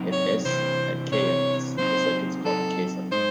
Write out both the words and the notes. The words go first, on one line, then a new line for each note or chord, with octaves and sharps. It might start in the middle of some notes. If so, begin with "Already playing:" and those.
If "S" has "k" elements, the cycle is called a "k"-cycle.
Already playing: F#3 C4 D#4
C#5
C3 E3 C4 C5
C3 E3 C4 C#5
F#3 C4 D#4 C5
F#3 C4 D#4 A4
G#3 D#4 C5